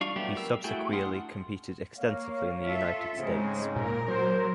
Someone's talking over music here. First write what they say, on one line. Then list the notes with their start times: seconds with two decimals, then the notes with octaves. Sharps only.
He subsequeerly competed extensively in the United States.
0.01 G3 D4 F4 F5 C#6
0.16 F#3 G3 A3 B3 G4
0.36 G4 A#4 E6
0.64 A3 E4 F#4 G#4 G5
0.92 D4 F#5 C6 D#6 F6
1.98 A#3 C#5 F5
2.66 F4 A4 E5
3.17 G#2 C#3 G#3 C4
3.76 A#2 A#4
4.08 F#3 C5